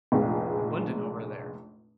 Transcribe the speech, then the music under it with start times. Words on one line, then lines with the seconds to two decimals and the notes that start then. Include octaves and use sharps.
abundant over there.
0.12 F1 A#1 G#3